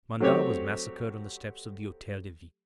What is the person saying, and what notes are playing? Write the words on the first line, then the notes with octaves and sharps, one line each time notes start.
Mandat was massacred on the steps of the Hotel-de-Ville.
F#3 A3 C4 G4 C#5